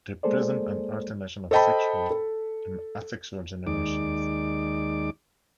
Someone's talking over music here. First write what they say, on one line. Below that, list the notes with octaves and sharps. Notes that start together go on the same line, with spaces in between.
They present an alternation of sexual and asexual generations.
G#3 A#3 G#4 A4 C5 D5
A4 C5 D#5 G5 A5 B5
A4
D#2 G#3 D#4 D5 D6